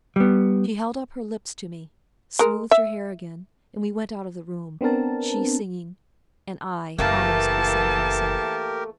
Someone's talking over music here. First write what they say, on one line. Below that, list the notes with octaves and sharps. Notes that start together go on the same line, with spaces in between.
She held up her lips to me, smoothed her hair again, and we went out of the room, she singing, and I almost beside myself.
G3 B3
G#3 A#4
E5
B3 C4 D4 A#4 A5
F#1 E3 A3 A#3 G4 A#4 A5